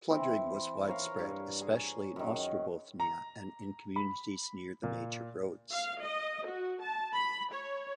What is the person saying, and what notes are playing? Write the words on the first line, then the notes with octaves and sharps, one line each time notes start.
Plundering was widespread, especially in Ostrobothnia and in communities near the major roads.
E3 C4
A#4 C#5 F5
G2
G#4
F#2 D#3
A#5
B5
A#2
F5
D#5
F#4
A5
B5
C#5